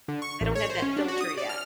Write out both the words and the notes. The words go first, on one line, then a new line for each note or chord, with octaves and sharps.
They don't have that filter yet.
D3
C#6
A1
C#5
C5
C#4
D4
F#4
D#6
D5
F6